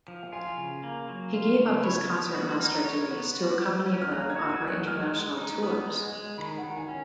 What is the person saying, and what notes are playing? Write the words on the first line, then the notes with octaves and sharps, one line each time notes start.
He gave up his concertmaster duties to accompany her on her international tours.
F3
F4 G#5
C#3
A#3
F#3
F4
C#3
C#5 B5
B3
D#6
F#4
D#4 F6
C#5
B3
F#4
F#3
C#4
F6
A#3 F#6
G#6
F#4
G#6
F#3
F#6
G#3 F6
G#3
D#4
B3 D#6
G#3
G#3
D#3 B5
F#5
D#3
G#5
C#4